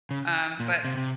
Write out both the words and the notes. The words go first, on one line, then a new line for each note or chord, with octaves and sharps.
um, but
C#3
A#2
C3
C3